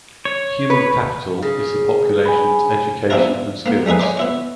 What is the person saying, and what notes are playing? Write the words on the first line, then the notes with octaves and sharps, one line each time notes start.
Human capital is the population's education and skills.
C#5
B4
C#3
G#5 B5
B3 C4 D4 E4 F4 A#4
A#3 B3
G3 A3 D#4 G#4 B4
C#5 D#5 G5 C6 D6
B3 E4 C#5